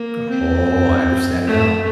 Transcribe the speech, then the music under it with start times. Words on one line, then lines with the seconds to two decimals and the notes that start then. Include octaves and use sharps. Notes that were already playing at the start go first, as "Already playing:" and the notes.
U Oh, I understand now.
Already playing: A#3
0.29 C4
1.46 A3